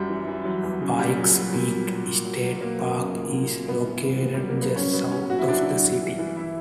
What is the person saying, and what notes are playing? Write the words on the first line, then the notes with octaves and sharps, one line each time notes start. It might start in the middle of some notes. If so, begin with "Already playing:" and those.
Pike's Peak State Park is located just south of the city.
Already playing: F#2 F#3 G3
E3
E3
F#3
E2
C#3
A#2 G3
F#3
F#3
A#2
F#3
F#3
A#2
F#3
F#3
F#3 A#3
F#2
C#3
A#2
F#3
F#3
G2 B3
E3
E3
A#2
G3
F#3
A#3
F#3 B3
G2 C#4
F#3 B3
F#3 C#4
A#2 F#4
E4
F#3 D4
E4
F#3
G2
E3
E3
E4